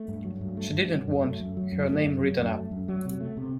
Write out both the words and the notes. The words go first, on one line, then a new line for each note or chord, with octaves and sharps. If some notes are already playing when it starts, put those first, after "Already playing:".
She didn’t want her name written up.
Already playing: A3
G2
F#3
G2
A3
G2
F#3
F#2
A3
F#2
F#3
F#2
A3
F#2
F#3
F#2
A3
F#2
F#3
C3
A3
C3